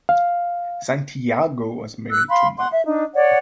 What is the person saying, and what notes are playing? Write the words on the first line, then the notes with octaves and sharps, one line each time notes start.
Santiago was married to Ma.
F5
E6 F#6
F5 B5 C6
F#5 C6
E5
D4 D#4
C#5 D5 F#5